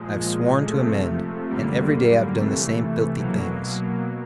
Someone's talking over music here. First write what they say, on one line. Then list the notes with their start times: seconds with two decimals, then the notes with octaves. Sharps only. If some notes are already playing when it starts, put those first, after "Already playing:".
I've sworn to amend, and every day I've done the same filthy things.
Already playing: A#2 F3 G#3
0.65 C3 F3 A3
1.50 F#2 D3 G3 A#3
2.34 C3 E3 A3
3.19 B2 F#3 A#3